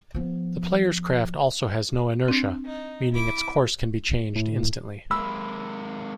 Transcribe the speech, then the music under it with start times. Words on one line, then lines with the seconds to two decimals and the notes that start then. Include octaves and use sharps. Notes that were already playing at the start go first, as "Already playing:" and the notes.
The player's craft also has no inertia, meaning its course can be changed instantly.
0.14 F3 B3
2.28 C4 D4
2.65 D#4
3.13 E4 D6
4.36 A2
5.11 G#3 A#3 B5 E6